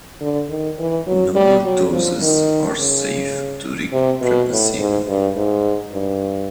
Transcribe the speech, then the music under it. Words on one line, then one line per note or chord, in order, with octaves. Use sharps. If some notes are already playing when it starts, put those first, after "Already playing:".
Normal doses are safe during pregnancy.
D3
D#3
E3
F#3
G3
F#3
F3
D#3
C#3
C3
B2
A2
G#2
G2
G#2
G2